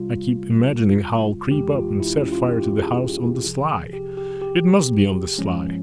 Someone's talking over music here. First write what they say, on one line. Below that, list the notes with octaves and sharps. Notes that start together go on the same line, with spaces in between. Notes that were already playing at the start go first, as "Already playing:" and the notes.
I keep imagining how I'll creep up and set fire to the house on the sly; it must be on the sly.
Already playing: C2 C3 G3 F4
F2 E3 G#3 G4
F4
E4
C#4
F4
G4
G4
G#4
C2 C3 F3
G4
G4
G4
G#1 G2 F3 G#3 C#4